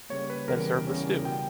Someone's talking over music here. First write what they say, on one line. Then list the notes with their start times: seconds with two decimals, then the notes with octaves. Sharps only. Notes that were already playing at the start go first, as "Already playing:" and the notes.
Then serve the stew.
0.10 C#3 G3 A#3 C#5
0.30 B4
0.48 E2 C#3 E3 G3 A#4
0.87 E2 C#3 G3 C#4
1.25 B2 G3 B3 G5